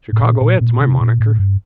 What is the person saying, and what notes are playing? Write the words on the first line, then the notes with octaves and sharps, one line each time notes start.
"Chicago Ed.'s my monaker."
A2
A#2
A#2
A#2
C3
A#2
A2
G2